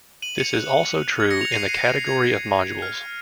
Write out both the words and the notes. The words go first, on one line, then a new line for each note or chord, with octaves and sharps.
This is also true in the category of modules.
D#7 F#7
C#7 F7
F#6
G#6
A#6 C#7
C#7 F7
C7 D#7
C7 D#7
C7
G#6
F6